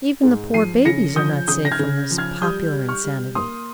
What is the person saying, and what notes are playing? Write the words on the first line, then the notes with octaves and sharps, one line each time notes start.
Even the poor babies are not safe from this popular insanity.
G#2
F3 C7 D#7
C#3 A#6 C#7
F3 D#6 G6
C#3 D#6 G6
A#6
F6 G#6
C#3
F3
F6 G#6
G3 D#6 G6
G3
C#6 F6
G3
A#3 C6 D#6